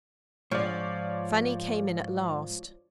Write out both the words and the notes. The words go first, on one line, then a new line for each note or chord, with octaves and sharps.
Fanny came in at last.
G#2 F3 C#5 D5